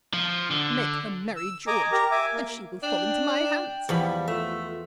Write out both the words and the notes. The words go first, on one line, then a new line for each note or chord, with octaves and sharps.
Make her marry George, and she will fall into my hands.
F3
D3
E6
D#5 G#5 A#5 D6
G4 A#4 A#5
E5 G#5 D6
A#3
D4 G5
G5
E2 F3 G3 B5
A3 F4 E5